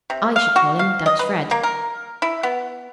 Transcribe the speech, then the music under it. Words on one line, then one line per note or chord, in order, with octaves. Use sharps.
"I should call him Dutch Fred."
C3
F5
F#4
F5
D#5
B4
A#3
A#4
E4
B3